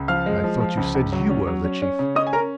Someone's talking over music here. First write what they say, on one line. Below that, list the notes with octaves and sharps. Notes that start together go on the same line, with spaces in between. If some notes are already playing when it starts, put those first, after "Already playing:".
"I thought you said you were the chief?"
Already playing: C#2
F3 F5 F6
G#3
F3
F3
C#2
C#2
F#3
C#4
F#3
C#4
C#4
C#3
C#4 D#5 D#6
G#5
C#4 A#4 A#5